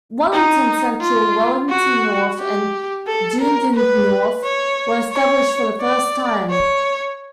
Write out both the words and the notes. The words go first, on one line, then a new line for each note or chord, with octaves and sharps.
Wellington Central, Wellington North, and Dunedin North were established for the first time.
D#4
F4
F#4
G4
A4
A#4
B4
C#5
C#5
D5
C#5